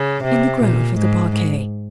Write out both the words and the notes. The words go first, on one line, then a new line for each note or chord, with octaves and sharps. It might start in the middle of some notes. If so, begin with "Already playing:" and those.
"In the grove of the parquet."
Already playing: C#3
C3
A#2
G#2